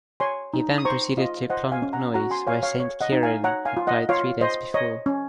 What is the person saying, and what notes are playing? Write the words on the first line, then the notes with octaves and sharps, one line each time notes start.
He then proceeded to Clonmacnoise, where Saint Cieran had died three days before.
C#5 G#5 C6
D#4
D#6
C5 A#5 C#6
F4 D#5
C5 D#5 F#5
F5 G#5
C#4
F#5 A#5
F#4 F#5 A#5
G#5 C6
C#5 F5 G#5
C#5 F5
C#5
D#5 F#5
D#4
F5 G#5
C#5 F#5 A#5
F5 G#5
F4
D#5 F#5
F4 C#5 F5
C5 D#5
C#5 D#5
C#4